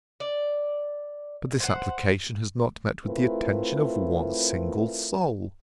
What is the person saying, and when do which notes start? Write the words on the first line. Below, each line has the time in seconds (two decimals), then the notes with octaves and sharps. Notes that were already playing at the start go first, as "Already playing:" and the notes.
But this application has not met with the attention of one single soul.
0.20 D5
1.60 C5 F#5
3.05 A3 C4 E4 F4 A#4 B4